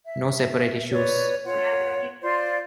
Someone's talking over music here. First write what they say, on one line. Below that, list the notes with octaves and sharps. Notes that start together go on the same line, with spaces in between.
No separate issues.
E5
B4 C#5 D5
F4 C#5 F#5
F4 C5 D5 F5